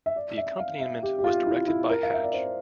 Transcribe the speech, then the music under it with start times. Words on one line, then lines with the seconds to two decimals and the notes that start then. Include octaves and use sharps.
The accompaniment was directed by Hatch.
0.06 E5
0.16 D5
0.37 E5
0.59 F5
0.80 E5
1.03 G4
1.19 G4
1.24 F4
1.46 E4
1.67 E4
1.90 A#4
2.03 F5
2.14 E5
2.23 D5
2.33 C5